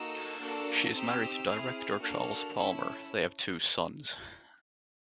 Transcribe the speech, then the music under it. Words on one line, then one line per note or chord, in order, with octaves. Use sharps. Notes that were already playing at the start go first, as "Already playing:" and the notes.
She is married to director Charles Palmer; they have two sons.
Already playing: A#3 D#4 F#4 A4 E6
A#3 D4 F#4 A4
C4 D#4 G4 E6
C4 E4 G#4 F6
A#3 D4 F#4 A4 F6
C#4 E4 A4 E6